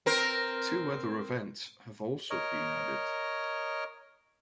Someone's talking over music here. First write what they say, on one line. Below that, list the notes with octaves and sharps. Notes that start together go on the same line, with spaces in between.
Two other events have also been added.
C4 A#4
A#4 C#5 D#5